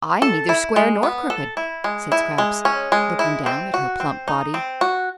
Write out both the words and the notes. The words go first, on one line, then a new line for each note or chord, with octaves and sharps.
"I am neither square nor crooked," said Scraps, looking down at her plump body.
A4
E4
G#3
B3
A4
E4
G#3
E4
G#3
C#4
G#3
E4
C4
F#4
C4
D#4
C4
F#4